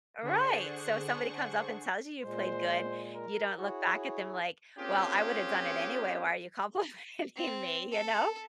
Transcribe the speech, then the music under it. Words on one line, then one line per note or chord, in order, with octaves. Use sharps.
Right! So if somebody comes up and tells you you played good, you don't look back at them like, "Well, I woulda done it anyway, why are you complimenting me," you know?
D3 D4 G#4 C5 F#5 C#6
A#2 G#3 C5
A#4
E4 F#4 G#4 C#5
A#3 C4 C#4 F4 G4 G#4
C4
A4